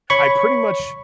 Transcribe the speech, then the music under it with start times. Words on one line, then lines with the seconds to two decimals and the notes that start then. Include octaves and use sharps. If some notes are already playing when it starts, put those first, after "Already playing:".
I pretty much
0.10 C#5 B5 C#6